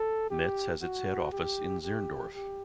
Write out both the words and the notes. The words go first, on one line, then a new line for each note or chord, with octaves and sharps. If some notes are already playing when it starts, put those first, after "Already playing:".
Metz has its head office in Zirndorf.
Already playing: A4
G4
F#4
G4
G4
G4